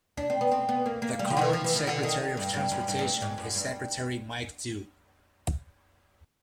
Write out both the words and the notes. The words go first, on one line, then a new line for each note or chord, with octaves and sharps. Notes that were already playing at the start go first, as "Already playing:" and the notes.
The current Secretary of Transportation is Secretary Mike Dew.
D4
C4
B3
C4
B3
A#3
A#3
G3
F3
D#3
E3
F3
E3
D#3
D3
D#3
G2
G2
F#2
G2
G2
G#2
F#2
G2